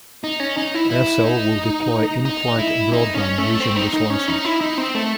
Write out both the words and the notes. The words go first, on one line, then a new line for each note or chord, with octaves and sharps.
Aircell will deploy in-flight broadband using this license.
D#4
C#4
D#4
E4
E4
D#4
D#4
E4
D#4
C#4
A3
C4
D#4
D#4
C#4
D#4
E4
D#4
C4
A3